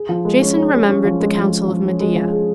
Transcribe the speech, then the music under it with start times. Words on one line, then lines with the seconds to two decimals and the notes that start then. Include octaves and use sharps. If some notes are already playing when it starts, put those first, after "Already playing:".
Jason remembered the counsel of Medea.
Already playing: G#4
0.09 F3
0.25 G#3
0.41 C#4
0.57 C#4
0.72 G#3
0.88 C#4
1.05 F3
1.20 G#3
1.37 F3
1.52 G#4
1.68 F3
1.84 C#4
2.00 G#3
2.16 F3
2.32 G#4